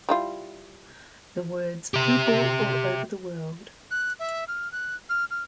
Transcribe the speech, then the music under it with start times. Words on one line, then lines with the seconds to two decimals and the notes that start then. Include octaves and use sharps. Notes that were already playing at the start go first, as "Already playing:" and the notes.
The words People all over the world!
0.09 G3 E4 F4
1.94 G4 E5
3.91 F#6
4.19 E5
4.48 F6
4.72 F#6
5.09 F6
5.31 F6